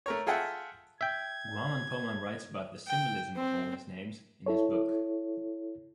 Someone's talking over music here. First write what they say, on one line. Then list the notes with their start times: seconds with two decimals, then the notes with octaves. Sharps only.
Guaman Poma writes about the symbolism of all his names in his book.
0.06 A3 A#4 C#5
0.27 F4 G#4 A4 E5 F#5 G5
1.01 E5 G5 G#6
2.87 G5
3.36 C4
4.46 E4 A4 C#5